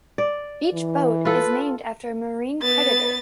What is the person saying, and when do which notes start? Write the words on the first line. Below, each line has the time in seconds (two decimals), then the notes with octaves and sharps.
Each boat is named after a marine predator.
0.18 D5
0.73 E3
1.25 F4 A4 B4
2.62 B3 A6